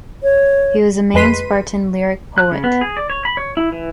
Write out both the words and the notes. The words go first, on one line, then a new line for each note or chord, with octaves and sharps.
He was the main Spartan lyric poet.
C#5
F2 G#3 B4 C6 B6 D#7
F#6
C#3
B3
G#4
D5
C#5
B5
C#5
E4
E3